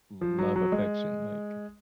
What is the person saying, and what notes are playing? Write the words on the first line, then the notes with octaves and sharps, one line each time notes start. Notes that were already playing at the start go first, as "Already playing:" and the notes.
love affection, like
F3
F#3
F#3
G#3